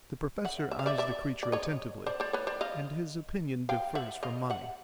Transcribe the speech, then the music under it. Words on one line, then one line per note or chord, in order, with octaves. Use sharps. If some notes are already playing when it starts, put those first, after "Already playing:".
The Professor eyes the creature attentively, and his opinion differs from mine.
E5 F#5
E5
F5
D5 E5
D5 E5
D5
C#5 D#5
C5 D5
C5 D5
B4 C#5
C5 D5
D#5 F5
F5 G5
E5 F#5
D#5 F5
E5 F#5